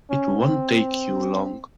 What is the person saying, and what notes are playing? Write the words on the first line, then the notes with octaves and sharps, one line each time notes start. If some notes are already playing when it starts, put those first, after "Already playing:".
It won't take you long.
C#4
C4